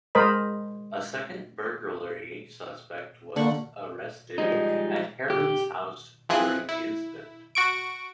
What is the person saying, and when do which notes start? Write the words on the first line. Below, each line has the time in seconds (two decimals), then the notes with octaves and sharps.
A second burglary suspect was arrested at Herron's house during the incident.
0.15 G#3 A#4 C5 D#5 B5
3.36 D3 A#3 F#5 C#6
4.38 F3 G3 G#3 D#4
5.30 G4
6.29 E3 F3 C4 G#4 F#6
6.69 E4
7.55 F#4 C#6 D7